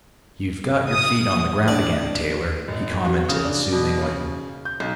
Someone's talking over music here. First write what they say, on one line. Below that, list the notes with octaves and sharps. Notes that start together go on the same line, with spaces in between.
"You've got your feet on the ground again, Taylor," he commented soothingly.
D#6
D4
G#1
F#4
C#3
D4
B2
C#3
G6
B1